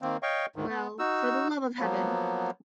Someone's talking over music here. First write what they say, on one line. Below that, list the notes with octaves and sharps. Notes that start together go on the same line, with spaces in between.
Well, for the love of Heaven!
D#3 A#3 C4
C#5 D#5 F5 G5 C#6
D2 G#2 D#3
B3
D#4 F#4 E6
F3 F#3 A#3 B3